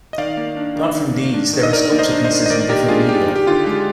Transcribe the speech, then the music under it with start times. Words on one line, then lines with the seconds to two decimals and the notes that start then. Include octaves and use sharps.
Apart from these there are sculpture pieces in different media.
0.13 D#5
0.18 D#3 D5 F5
0.37 A#3
0.57 D4
0.76 D#3
0.95 D#3
1.14 A#3
1.34 D4
1.53 D#3
1.63 D#5
1.73 D#3 A#4 D5
1.92 A#3
1.98 C5 D#5
2.11 D4
2.25 C5 D#5
2.30 D#3
2.46 D#5
2.50 D#3 A#4 D5
2.69 A#3 G4 A#4
2.88 D4 F4 G#4
3.09 D#3 G4
3.28 D#4
3.36 G4
3.47 D3 F4
3.66 G#3 G4